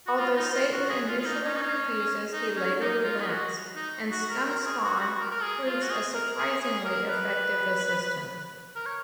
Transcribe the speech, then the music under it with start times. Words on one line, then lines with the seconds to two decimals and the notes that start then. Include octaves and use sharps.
Although Satan initially refuses, he later relents, and Scumspawn proves a surprisingly effective assistant.
0.07 F#4
0.18 F4
0.36 D#4
0.54 F4
0.72 F#4
0.89 G#4
1.08 F4
1.19 F4
1.26 D#4
1.44 C#4
1.56 D#4
1.61 C#4
2.33 D#4
2.56 C#4
2.80 D#4
3.04 F4
3.20 G#4
3.28 F#4
3.76 D#4
4.11 F#4
4.30 A#4
4.47 A#4
4.66 G#4
4.83 F#4
5.01 F#4
5.19 A#4
5.31 A#4
5.42 G#4
5.67 F4
5.81 F#4
5.90 G#4
6.14 A#4
6.38 G#4
6.62 G#4
6.85 A#4
7.09 B4
8.76 A#4
8.86 C#5